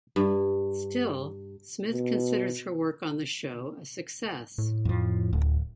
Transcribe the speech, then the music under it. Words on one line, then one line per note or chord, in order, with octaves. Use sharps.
Still, Smith considers her work on the show a success.
G2
B2
A2
F2 F3
D1 D2